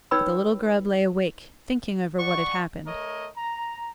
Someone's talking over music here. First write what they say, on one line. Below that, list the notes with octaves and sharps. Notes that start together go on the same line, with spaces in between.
But the little Grub lay awake, thinking over what had happened.
D#4 B4 C#5 G5 B5 E6
D5 F#5 C#6
A3 A#4 C#5 D#5
A#5